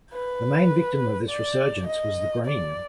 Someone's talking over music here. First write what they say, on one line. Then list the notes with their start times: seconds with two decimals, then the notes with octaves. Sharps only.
The main victim of this resurgence was the Green!
0.13 B4
1.29 D5
1.87 D#5
2.45 D5